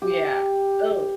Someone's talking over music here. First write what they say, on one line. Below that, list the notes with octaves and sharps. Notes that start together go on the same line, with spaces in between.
Yeah, oh.
G4